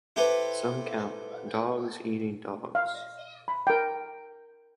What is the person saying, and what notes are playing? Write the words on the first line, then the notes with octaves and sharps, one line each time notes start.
Some count "Dogs Eating Dogs".
E4 G4 A4 B4 C5
F5
B5
A#4 G5